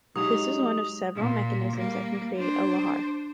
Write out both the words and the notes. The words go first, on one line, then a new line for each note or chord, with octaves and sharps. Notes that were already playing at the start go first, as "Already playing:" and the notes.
This is one of several mechanisms that can create a lahar.
F#3 G#3 D#4 G4 D#6 F7
A#2
G3 A#3
D4 C5